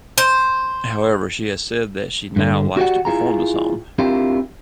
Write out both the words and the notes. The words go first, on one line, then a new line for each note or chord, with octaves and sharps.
However, she has said that she now likes to perform the song.
C5
G2 D3
F#4 G4 D5 F#5
E4 F4 G#4 A#5
C4 D4 E4 F4 G4 A#4